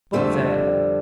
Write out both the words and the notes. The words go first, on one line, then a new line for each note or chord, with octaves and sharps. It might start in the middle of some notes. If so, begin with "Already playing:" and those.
But there!
F2 D3 G3 A3 C4